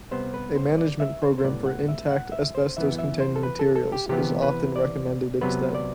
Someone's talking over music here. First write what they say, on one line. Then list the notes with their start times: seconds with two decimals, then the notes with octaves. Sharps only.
A management program for intact asbestos-containing materials is often recommended instead.
0.11 C3 G3 B3 C5
0.34 B4
0.56 C5
0.78 D5
1.00 E5
1.22 C5
1.38 C5
1.44 A2 G3 B3 D5
1.66 F#5
1.88 E5
2.11 F#5
2.32 E5
2.55 C5
2.77 F#2 E3 B3 E5
2.98 E5
3.20 C5
3.36 A4
3.43 B4
3.59 A4
3.76 A4
3.92 G4
4.09 C3 E3 B3 G4
4.42 B4
4.76 D5
5.41 C3 F#3 B3 B4
5.75 D5